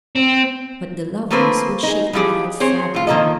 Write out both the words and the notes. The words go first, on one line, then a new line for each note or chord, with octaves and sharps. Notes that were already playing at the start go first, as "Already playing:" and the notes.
But the lovers would shake their heads sadly.
C4
F3 A3 A#3 C4 B4 C5
D#4 G#4
E3 F3 G#3 G4 G#4
C4 G#4 C5 C#5
A2 F4
D#3 F3 A#3 E4 A4 D#5